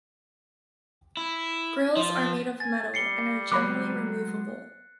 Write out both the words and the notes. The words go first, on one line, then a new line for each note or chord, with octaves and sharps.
Grills are made of metal and are generally removable.
E4
F3
G#5 A6
G3 C7 C#7 G7
F#3 G#3 C#5 B5 D6 F#6